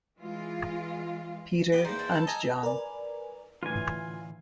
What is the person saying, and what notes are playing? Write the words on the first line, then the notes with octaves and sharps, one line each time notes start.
Peter and John.
E3 G#3 F4
B3 G4 B4
E2 A#3 D#4 C5
D4 E5
A4 A5
D#5 G#5 A#5 D#6
A#4 B4 D5 G#5
A2 D3 E3 F4 G#5